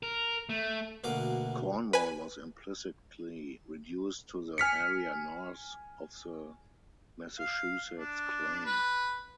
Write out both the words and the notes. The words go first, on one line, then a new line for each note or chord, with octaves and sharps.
Cornwall was implicitly reduced to the area north of the Massachusetts claim.
A#4
A3
D2 B2 A#3 D6
B4 G#5
G#5 F6 B6 C#7
F5
D4
B4